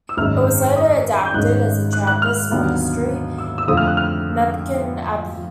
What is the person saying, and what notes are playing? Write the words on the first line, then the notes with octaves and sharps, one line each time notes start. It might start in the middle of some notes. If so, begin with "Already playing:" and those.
It was later adapted as a Trappist monastery, Mepkin Abbey.
E6
G#1 F#2 D#3 G#3 C#4 F6
D#6
G6
G#1 G#2 D#3 G#3 C#4 F#6
F#6
F#6
F6
D#2 D3 F#3 B3
E6
E6
F2 D3 F3 A3 D#6
F6
F#6
F6